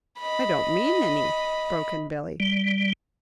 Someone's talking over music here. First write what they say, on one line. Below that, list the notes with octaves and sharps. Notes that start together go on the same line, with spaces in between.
"I don't mean any," broke in Billy.
D#5 B5
G3